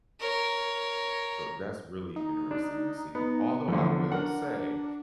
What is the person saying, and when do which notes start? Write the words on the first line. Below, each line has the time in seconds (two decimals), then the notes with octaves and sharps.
So that's really interesting to see. Although I will say
0.20 A#4 C#5
2.16 D#4
2.51 D4
3.15 B3 D#4
3.68 E2 D3 F3
4.12 D4 A#4 F#5